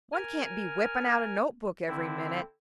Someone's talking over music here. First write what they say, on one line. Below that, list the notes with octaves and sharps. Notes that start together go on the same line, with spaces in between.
One can't be whipping out a note-book every minute.
A#4 G#5 F6
D3 C4 E4